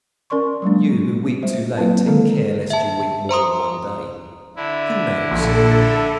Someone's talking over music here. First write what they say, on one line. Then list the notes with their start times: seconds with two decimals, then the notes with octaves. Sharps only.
You who weep too late, take care lest you weep more than one day. Who knows?
0.30 C#4 A#4 D5 C6 C#6
0.62 F#3 G#3 A#3 D4
1.43 G3 A3 C5
1.77 F#3 A#3 C4 E4 B4 A5
2.06 D3 D#3 G#3 A#3 A4
2.70 E5 A5
3.29 C5 A#5 C6 D#6
4.56 D3 E4
5.31 A#1 A4